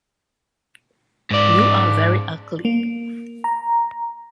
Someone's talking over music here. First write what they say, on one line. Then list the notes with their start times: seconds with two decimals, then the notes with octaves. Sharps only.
You are very ugly!
1.31 G#2 D5
2.65 A#3
3.44 A#5